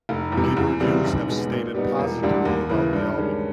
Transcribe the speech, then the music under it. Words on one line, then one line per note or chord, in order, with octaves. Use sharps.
Later reviews have stated positively about the album.
F1
E2
C3
E2
C#3 E3 G3 C4
B1
B2 G#3
A#2
G3 B3 D#4
E1
D2 D3 G3
D#2
C#3 E3
G2
D#3 G#3 C#4